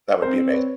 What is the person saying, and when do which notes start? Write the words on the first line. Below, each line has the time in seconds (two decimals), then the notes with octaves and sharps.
that would be amazing.
0.22 C4 A#4 C5
0.50 D5
0.53 B4 C#5